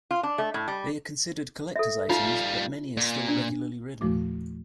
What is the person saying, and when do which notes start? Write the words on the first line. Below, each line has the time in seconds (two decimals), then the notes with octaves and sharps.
They are considered collector's items, but many are still regularly ridden.
0.11 F4
0.23 D4
0.38 A3
0.54 A2
0.68 G3
1.76 A4 E5
2.10 G3 D#4 F4 F5
2.97 A#2
3.28 D4
4.01 E2 A#2 F3 A3 F#4 D6